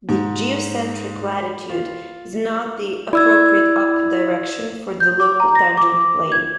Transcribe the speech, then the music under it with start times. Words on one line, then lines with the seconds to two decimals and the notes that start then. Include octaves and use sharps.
The "geocentric" latitude is "not" the appropriate "up" direction for the local tangent plane.
0.09 G#2
1.69 F4
3.13 E4 D5 E6 G#6
5.00 G6
5.20 D6
5.40 A#5
5.55 A#6
5.77 D6
6.32 G#6